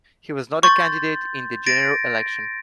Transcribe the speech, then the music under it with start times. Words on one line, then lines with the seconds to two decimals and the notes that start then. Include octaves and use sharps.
He was not a candidate in the general election.
0.63 C6 C#6 G6 A6
1.66 A6 A#6 D7